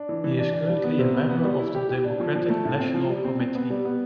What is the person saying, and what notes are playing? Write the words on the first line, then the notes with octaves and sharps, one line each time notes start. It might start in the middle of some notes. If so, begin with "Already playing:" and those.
He is currently a member of the Democratic National Committee.
Already playing: D4
E3
E3
D4
D4
G3
B3
C3
B3
B3
G3
E4
G4
G4
D4
F3
F3
A3
A2
C4
F3
G3
C4
C4
B3
G3
B3